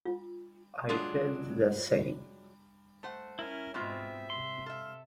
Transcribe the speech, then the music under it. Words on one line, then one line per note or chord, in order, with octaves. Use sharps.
I felt the same.
F4
F#3 G#3 D4 F4 G#4
A3 C5 F#5
C#4 E4 A#4
G#2 B2 G#3 C4 F4 E5
C3 C6
A4 E5 F5